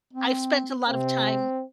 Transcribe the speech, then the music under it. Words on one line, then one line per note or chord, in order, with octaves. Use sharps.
I've spent a lot of time
C4
C3 C4